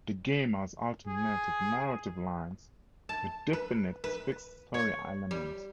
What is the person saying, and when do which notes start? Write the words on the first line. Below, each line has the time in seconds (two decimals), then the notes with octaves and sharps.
The game has alternative narrative lines, with definite fixed story elements.
1.07 G#4
3.09 A5
3.53 B4
4.04 B4
4.74 C#5
5.31 G3